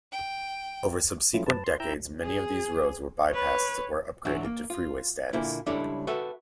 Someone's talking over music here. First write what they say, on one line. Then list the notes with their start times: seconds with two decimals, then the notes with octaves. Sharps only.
Over subsequent decades many of these roads were bypassed or upgraded to freeway status.
0.12 G5
1.34 F3 F#3 A3 C#4 E4 F4
1.46 F#2 B4 A5
1.64 C6
1.80 E4 G5 A#5 E6 G6
2.21 G#4
3.30 B4 C#5
4.25 G#2 E3 F#3 D4 F#4
4.45 A#3
4.70 F4
5.33 A#2 D3 A#3 E4
5.66 C#2 G3 D4 E4 A4 C#5
6.07 F#4 A4 B4 E5